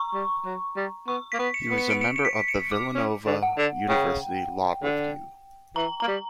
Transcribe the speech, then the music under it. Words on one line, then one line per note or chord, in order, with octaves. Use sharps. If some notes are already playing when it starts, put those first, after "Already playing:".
He was a member of the Villanova University Law Review.
Already playing: A#5 C#6
G3
F#3
G3
B3 C#6
A#3 B6
B3
C#7
B3
C#7
D7
C#7
C#7
B6
C#7
D6
C#4
D3
F#5
D3
C#3 G5
D3
E3 A#5
A#3 A#5
G3